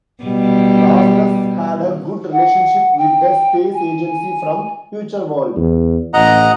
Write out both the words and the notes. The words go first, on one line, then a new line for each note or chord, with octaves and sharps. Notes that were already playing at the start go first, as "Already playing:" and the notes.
Lazarus had a good relationship with the space agency from "Futureworld".
B2 G3
F#5
G5
G#5
E2
A1 D#5 F#5 A#5